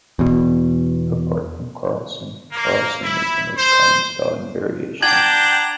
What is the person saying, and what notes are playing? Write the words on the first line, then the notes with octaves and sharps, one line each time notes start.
Apart from "Karlsson", "Carlsson" is the most common spelling variation.
E2 B2
A#3
E4
C5
D4 F#5 G5 A5 A#5 G6 G#6 F#7